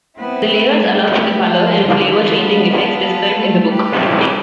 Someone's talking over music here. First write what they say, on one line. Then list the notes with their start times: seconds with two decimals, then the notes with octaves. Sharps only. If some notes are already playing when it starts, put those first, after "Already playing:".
The layers allow for the colour and flavour changing effects described in the book.
0.18 B3 C4 E4
0.50 A3
0.81 G3
1.12 A3 G4 B4
1.44 F3 F4 A4
1.77 D3
2.08 E3 D4 F4
2.40 B3
2.71 F4 A4
3.04 B3
3.35 A3
3.66 G3 G4 B4